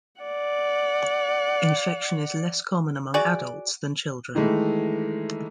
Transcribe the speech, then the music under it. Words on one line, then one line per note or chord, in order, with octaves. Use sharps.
Infection is less common among adults than children.
D5 F#5
F#4 G#4 D5
D#3 E3 G#3 A3